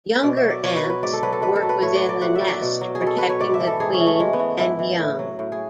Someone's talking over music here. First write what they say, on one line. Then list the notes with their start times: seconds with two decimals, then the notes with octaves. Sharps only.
Younger ants work within the nest protecting the queen and young.
0.23 B2 D5
0.37 E5
0.44 F#3
0.50 D5
0.63 B2 C#5
0.77 B4
0.83 F#3
0.90 B4
1.03 G#2 D5
1.13 A4
1.23 F#3 B4
1.32 A4
1.42 G#2 B4
1.56 A4
1.63 F#3
1.69 B4
1.82 A2 C#5
1.95 D5
2.02 F#3
2.09 D5
2.22 A2 F#5
2.35 E5
2.41 F#3
2.48 D5
2.61 B2
2.81 F#3
2.95 G#4
3.01 B2
3.07 A4
3.18 F#3 B4
3.29 C#5
3.40 G#2 D5
3.54 E5
3.60 E3
3.67 A4
3.80 G#2 G#4
3.94 C#4
4.00 E3
4.07 A3
4.20 G#2 G#3
4.33 B3
4.39 E3
4.60 G#2 E4
4.79 E3
4.99 A2
5.19 F#3
5.39 A2
5.52 G#4